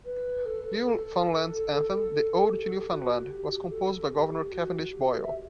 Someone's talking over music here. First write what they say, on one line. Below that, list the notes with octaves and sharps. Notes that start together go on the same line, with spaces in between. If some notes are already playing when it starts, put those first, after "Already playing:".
Newfoundland's anthem "The Ode to Newfoundland", was composed by Governor Cavendish Boyle.
B4
A4
G4
A4
G4
F#4
G4
A4
G4
F#4
G4
E5